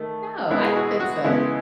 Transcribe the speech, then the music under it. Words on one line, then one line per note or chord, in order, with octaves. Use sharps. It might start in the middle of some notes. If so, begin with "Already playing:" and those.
No, I don't think so.
Already playing: D#3 A3
B2 G#3 B3 E4
G#4
F#4
F#4
C#3 G#3 B3 E4